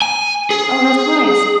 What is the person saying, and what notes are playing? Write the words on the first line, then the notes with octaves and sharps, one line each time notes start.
Oh, that's nice.
G#5
G#4